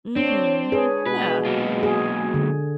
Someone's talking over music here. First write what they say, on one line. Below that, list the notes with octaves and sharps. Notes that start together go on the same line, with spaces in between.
Mhm. Yeah.
C4 D4 C#5
G#4 B4 C#5
B2 G#3 B4
F#3 A#3 F4
G#4
D3